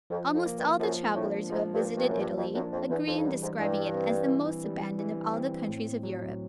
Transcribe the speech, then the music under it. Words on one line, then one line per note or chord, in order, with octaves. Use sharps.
Almost all the travellers who have visited Italy, agree in describing it as the most abandoned of all the countries of Europe.
F2 F3
F2
A#3
G2
F#2 F3
A2 D4
G#2 F3
G2
A#3
G2
F#2
G2 F3
F2
F#2 D4
F2
E2 E3
F2
F2
F#2 G3
G#2
G2 E3
C4
E3
G3
E3
C4
A2
F#3